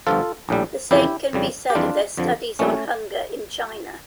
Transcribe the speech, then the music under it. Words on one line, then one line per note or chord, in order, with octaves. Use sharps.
The same can be said of their studies on "hunger in China".
G1 G2 F3 F4 A4
A#1 A2 G3
F2 C#3 E3 E4 G4
F2 C#3 G3
G4
F2 E3 G3 D4 F4
F2 D3 F3
A#1 A#2 G3 A3 C#4